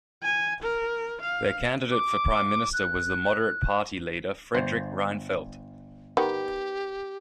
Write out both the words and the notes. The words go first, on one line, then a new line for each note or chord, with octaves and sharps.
Their candidate for Prime Minister was the Moderate Party leader, Fredrik Reinfeldt.
G#5
A#4
F5
D6
F#6
G1 C5
D#3 B3 G4